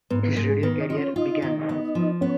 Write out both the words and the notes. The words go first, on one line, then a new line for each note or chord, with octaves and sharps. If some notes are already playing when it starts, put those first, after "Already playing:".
His radio career began.
G#2 B3
B3
G#2 A#3
G#3
D#3 B3
D#4
F4
C#4
D#4 F4
D#3
B3
F3
B3 C#4